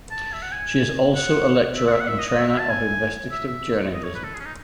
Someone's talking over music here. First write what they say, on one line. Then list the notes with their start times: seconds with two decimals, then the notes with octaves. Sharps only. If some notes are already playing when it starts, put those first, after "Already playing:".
She is also a lecturer and trainer of investigative journalism.
0.11 A5
0.33 E5
0.43 F#5
0.52 G#5
1.15 F#5
1.77 E5
1.87 F#5
1.93 E5
2.01 F#5
2.08 E5
2.18 D#5
2.29 D#5
2.38 E5
2.49 E5
2.59 A5
2.70 G#5
3.31 E5
3.47 E5
3.93 D#5
4.04 C#5
4.15 B4
4.24 A4
4.34 G#4
4.40 C#4
4.45 D#4